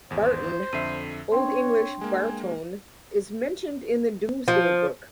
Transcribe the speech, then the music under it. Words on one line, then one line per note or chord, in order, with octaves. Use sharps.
Barton, Old English "Bartone", is mentioned in the Domesday Book.
G#1 E2 C5
F2 D3 E5 C7 D#7
C4 D4 C#5 G5 C6
G#3 A#3 G#5
F3